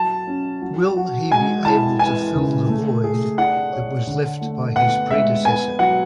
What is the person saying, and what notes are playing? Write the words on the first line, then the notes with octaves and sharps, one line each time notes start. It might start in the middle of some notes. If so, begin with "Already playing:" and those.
Will he be able to fill the void that was left by his predecessor?
Already playing: F#3 A5
C#4
F#3
F#4
G#3 G#5
E4 A5
E3 G#5
C#3
A3
G#4
D4 F#5
C#5
D3
A3
B3 F#5
G#3 E5
B3 G#5
F#3 F#5